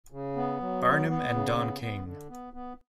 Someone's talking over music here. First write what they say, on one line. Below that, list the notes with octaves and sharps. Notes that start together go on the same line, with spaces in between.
Barnum and Don King.
C#3
B3
F#3
B3
B3
C#3
B3
B3
D3
B3
B3